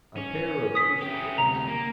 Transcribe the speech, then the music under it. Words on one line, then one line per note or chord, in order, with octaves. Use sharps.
"A pair of goose-quills."
C#4
D#6 B6
C#4 G4
D2 C3 A#5
A#3